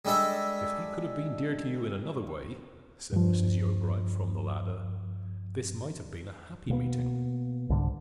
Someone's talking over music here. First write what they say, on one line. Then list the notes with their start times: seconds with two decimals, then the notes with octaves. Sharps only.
"If he could have been dear to you in another way," said Mrs. Yeobright from the ladder, "this might have been a happy meeting."
0.05 G3 G#3 D4 A4 E5
3.13 G2 F3
6.70 B2 A#3 B3
7.70 C2 G#2 D3